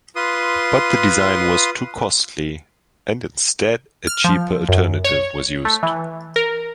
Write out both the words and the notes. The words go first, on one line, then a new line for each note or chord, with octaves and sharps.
But the design was too costly and instead a cheaper alternative was used.
F4 B4 C6 D#6
F6
F3
F#2
C#5
A3
E3
A#4